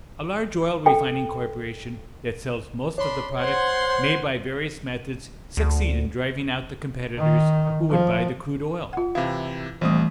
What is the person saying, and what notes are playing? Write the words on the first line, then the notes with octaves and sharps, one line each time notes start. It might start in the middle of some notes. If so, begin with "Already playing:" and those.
A large oil-refining corporation that sells most of the product may by various methods succeed in driving out the competitors who would buy the crude oil.
A4 G5
D4 C#5 B5 C6
C5 F#5 C6 G#6
D2
D#3
F3
F4 F#5
C3 E3 E4 F5
A#1 E3 G3 A3 C4 D#6